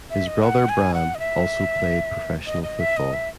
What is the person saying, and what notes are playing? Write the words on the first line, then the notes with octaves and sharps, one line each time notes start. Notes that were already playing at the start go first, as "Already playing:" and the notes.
His brother Bram also played professional football.
E5
D#5
F#5
G#5
F#5
D#5
E5
D#5
D#5
E5
D#5
E5